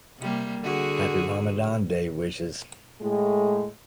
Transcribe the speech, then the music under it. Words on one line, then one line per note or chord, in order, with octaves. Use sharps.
Happy Ramadan day wishes!
C3 G3 A#3
D3 F#4 G#4
A2 G#3